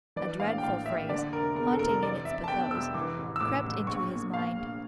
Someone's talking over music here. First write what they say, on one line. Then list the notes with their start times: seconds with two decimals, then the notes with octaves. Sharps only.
A dreadful phrase, haunting in its pathos, crept into his mind.
0.16 E3 D5
0.40 A#1 F5
0.58 G5
0.63 A2 F5
0.86 A#1 E5
1.09 D3 D5
1.32 F1 A#4
1.55 E2 A#4
1.73 A4
1.79 F1 A#4
2.02 E3 D5
2.25 F1 E5
2.44 A5
2.48 E2 G5
2.71 F1 E6
2.94 E3 D6
3.19 A1
3.36 E6
3.40 A2 D6
3.64 A1
3.87 A#1 C#6
4.10 A#2
4.34 A#2 F5
4.57 A#1